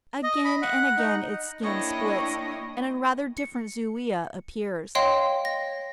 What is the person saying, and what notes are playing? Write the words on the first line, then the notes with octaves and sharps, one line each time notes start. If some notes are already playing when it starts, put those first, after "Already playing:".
Again and again its skin splits, and a rather different zoea appears.
D#5
B5
F#5
D#4
A#3 D4 E4 C#5 D#5 G5
C#7
C#5 D#5 F5 G5 C6
A#6